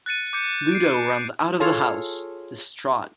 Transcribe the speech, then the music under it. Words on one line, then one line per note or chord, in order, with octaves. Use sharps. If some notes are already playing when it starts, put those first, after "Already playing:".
Ludo runs out of the house, distraught.
F#6 A6 C#7 D#7
D6 G6 C#7
C7 D7
F4 G#4 A4 C#5 A5